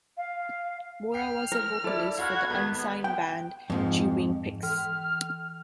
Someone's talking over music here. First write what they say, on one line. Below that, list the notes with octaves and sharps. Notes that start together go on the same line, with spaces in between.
Mora was the vocalist for the unsigned band Chewing Pics.
F5
G5 F6 C7
A#4
E4 A4 D5
F#4 F5 B5 F6 G#6
G#1 B3
G5
F2 G#2 F3
E3 F6